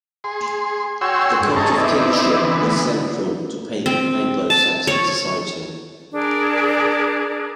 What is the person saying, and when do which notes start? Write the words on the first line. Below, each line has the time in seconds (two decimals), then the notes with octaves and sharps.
The cult of kingship was central to pagan Anglo-Saxon society.
0.24 G#4 C6
1.01 F#4 C#5 G5 G#5 C6 E6
1.41 G2 G#3
1.56 G#4 A4 C#5 D#5 A5 A#5
1.77 B3 C4 D#4 E4 D5
2.44 D3 E3 B3
3.86 C4
4.50 A5
4.87 C#5
6.12 D4 G#4 A#4